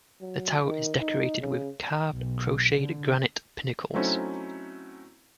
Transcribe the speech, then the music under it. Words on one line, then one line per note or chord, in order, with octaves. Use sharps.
The tower is decorated with carved crotcheted granite pinnacles.
F#3
D#3
D#4
C#3
B1
D3
F#3 A3 C4 C#4 D#4 E4